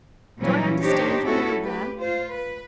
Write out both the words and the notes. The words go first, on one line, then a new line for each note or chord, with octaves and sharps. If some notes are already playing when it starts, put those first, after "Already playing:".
"Do I understand you know her?"
A#2 E3 F#3 G3 A#3 C#4
D4 D#4 G4 C5 C#5
A3 C#4 E4 F#4 A4
G4 B4
F4 C5
B4